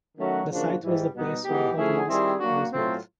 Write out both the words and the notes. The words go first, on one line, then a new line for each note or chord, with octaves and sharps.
The site was the place were the old mosque was built.
D#3 F#3 A3 C#4 F#4
C#3 F3 A#3 D4 F#4
G#2 E3 G3
B2 G3 B3 D#4
E3 G#3 B3 D#4 G4
F3 A3 C#4 E4 G#4
D#3 G3 C4 E4 G#4
F#3 A#3 D4 F#4
A2 F#3 A3 C4 F4